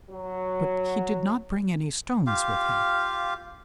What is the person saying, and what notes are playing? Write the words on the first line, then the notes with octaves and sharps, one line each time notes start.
But he did not bring any stones with him.
F#3
F4 G4 F5